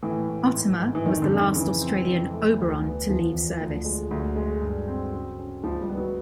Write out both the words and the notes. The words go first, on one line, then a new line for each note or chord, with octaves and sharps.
"Otama" was the last Australian "Oberon" to leave service.
A2 E3
A2
G#2
G#2
E3
F2 D#3
D3
F2
D#3
C#3 E3
C4
F2
A3
D2
B3
E2 F3
E2
D2
G#3
D2 F#3
G#3
G2
C4
C#3
C#4
C#2 F3
G3
B3
F#3